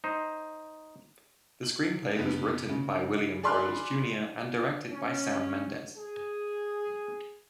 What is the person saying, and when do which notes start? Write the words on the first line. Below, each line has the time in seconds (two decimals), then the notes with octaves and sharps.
The screenplay was written by William Broyles Junior and directed by Sam Mendes.
0.04 D#4 C5
1.63 F#7
2.16 F#1 B3
2.69 C#3
3.43 G#4 D5 B5 C6 F6 F#6
4.91 C#4
5.97 G#4